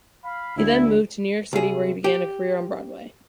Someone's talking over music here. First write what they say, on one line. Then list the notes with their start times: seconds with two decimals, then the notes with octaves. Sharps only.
He then moved to New York City where he began a career on Broadway.
0.24 F5 B5
0.56 D2 E4
1.53 C2 G#4
2.04 G4